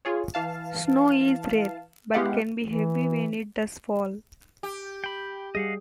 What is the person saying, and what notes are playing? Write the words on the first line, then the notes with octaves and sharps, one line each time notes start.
Snow is rare, but can be heavy when it does fall.
F4 G#4 C#5
E3 F5 A5
G#3 B3 E4 G4 F5 F#5
E3
G4
G5 B5
G3 G#4 D#5 F5 F#5